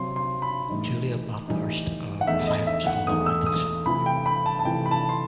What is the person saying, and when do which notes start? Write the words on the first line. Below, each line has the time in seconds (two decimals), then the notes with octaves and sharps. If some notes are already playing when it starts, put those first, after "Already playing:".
Julia Bathurst of Hyams Hall, Windlesham.
Already playing: C3 F#3 C4 C6
0.16 C6
0.42 B5
0.69 A2 E3 G3 D#4
1.48 A2 E3 G3 D#4
2.21 F#5
2.27 E2 D#3 A3 D#4 E5
2.47 D#5
2.67 E5
2.87 F#5
3.07 E2 D#3 A3 D#4 D#6
3.26 E6
3.46 D#6
3.86 C3 E3 A3 E4 B5
4.06 G5
4.26 B5
4.46 A5
4.59 A5
4.65 C3 E3 A3 E4 G5
4.86 B5
4.91 A5
5.09 C6